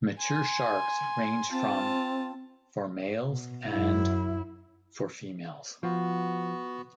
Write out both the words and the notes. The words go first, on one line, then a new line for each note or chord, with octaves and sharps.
Mature sharks range from for males and for females.
G#5 C6
C4 F4 A5
B2
F#2 E4
F3 B3 F#4